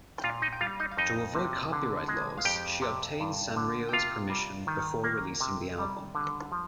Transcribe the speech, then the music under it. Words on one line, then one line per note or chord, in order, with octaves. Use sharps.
To avoid copyright laws, she obtained Sanrio's permission before releasing the album.
G5
A#2 F4 F5
D#4 D#5
G5
G3 F4 F5
D#4 D#5
F5
F2 D#4 D#5
C3
D3
G#3
F5
F2 G4 G5
C3
G2
D3
G5
C3 F4 F5
G3
D#3
A#3
C3
G3
D3
F3